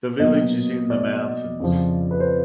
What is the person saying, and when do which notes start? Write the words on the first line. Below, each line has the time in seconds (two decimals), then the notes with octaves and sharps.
The village is in the mountains.
0.20 B2 F#3 A#3 D#5
0.90 D5
1.60 F2 C#3 F3
2.11 B4
2.20 C5